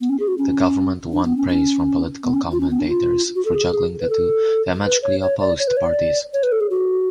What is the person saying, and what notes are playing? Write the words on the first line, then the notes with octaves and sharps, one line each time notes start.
The government won praise from political commentators for juggling the two diametrically-opposed parties.
B3
C#4
G#4
F#4
C#4
D4
B3
C#4
C#4
B3
C#4
F4
C#4
B3
D4
F4
F#4
A4
G#4
A4
G#4
B4
A4
B4
C#5
C#5
D5
C#5
B4
C#5
D5
C#5
B4
A4
G#4
F#4